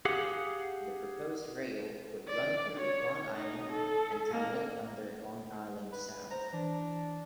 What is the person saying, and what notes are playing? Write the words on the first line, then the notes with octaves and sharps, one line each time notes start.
The proposed rail would run through Long Island and tunnel under Long Island Sound.
G4 G#4 F5 F#5
D5
C#5
D#4
A4
A#3
B4
C5 A#5
E3 D4